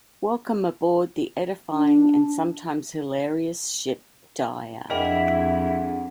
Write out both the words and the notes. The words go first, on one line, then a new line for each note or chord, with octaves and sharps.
Welcome aboard the edifying and sometimes hilarious ship Dyer.
D4
F2 D4 E4 G#4 A#4 D#5 F#5 G5